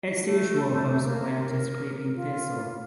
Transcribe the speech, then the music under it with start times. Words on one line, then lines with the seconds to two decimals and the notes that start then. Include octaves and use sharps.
Its usual host plant is creeping thistle.
0.23 A3
1.04 A#3
1.39 A#4
2.15 F4